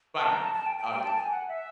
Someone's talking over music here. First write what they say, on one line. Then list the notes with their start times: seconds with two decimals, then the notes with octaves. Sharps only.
Spider-Man outfit, obviously.
0.17 A5
0.30 A#5
0.42 A5
0.54 A5
0.66 G5
0.78 G5
0.91 G5
1.04 A5
1.16 G#5
1.32 F#5
1.49 E5